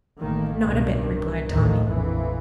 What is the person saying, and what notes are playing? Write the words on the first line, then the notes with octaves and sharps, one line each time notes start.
"Not a bit," replied Tommy.
A1 D#3 A#3
C2 G2 B2 D#3
A#1 D#2 A2 D#3
A#1 F2 E3